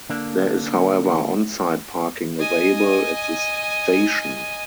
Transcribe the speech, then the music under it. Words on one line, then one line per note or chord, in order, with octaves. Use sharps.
There is however onsite parking available at the station.
D3 A#3 D4
D#5 G#5